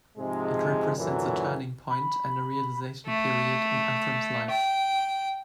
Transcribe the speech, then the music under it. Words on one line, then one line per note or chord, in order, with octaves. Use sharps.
It represents a turning point and a realization period in Elvrum's life.
G#2 C3 F3 G#3
F#2 A#2 D3 E3 F#3
B5
A3
G5